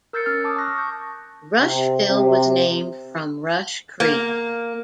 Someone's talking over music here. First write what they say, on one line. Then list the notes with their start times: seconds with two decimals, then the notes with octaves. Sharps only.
Rushville was named from Rush Creek.
0.13 A#4 E6 G6 A6 C7 C#7
0.26 C#4 E6 F6
0.44 A5 D6 D#6
0.56 A5 C#6 D6 F#6 A#6
0.75 C#6 G6
1.60 C3
2.09 C3
4.00 A#3